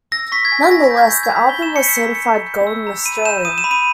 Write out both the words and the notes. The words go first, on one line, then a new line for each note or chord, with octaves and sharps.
Nonetheless, the album was certified gold in Australia.
E6 A#6
C#6 B6
G#6
G#5
B5 A#6
A#6
G6
G#6
E6 G6
G#6
B5
B6
A#5 G7
E7
G6
C#7
B6
E6 C#7
C#7
A#5
C#7
A#5
G6
E6
A#5
B5 D#7
G6 E7
D#6 D#7
E7
B5
D#7